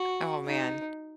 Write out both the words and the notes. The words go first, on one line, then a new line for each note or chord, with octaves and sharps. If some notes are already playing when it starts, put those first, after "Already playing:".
Oh, man,
Already playing: F#4
D#4